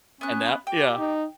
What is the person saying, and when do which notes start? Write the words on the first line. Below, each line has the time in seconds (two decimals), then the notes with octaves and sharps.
and that yeah.
0.21 B3 C#4 F#6
0.67 G4 G5
0.98 D#4